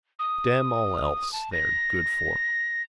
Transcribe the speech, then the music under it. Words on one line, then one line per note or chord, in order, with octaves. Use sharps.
Damn all else they are good for.
D#6
A5
A#6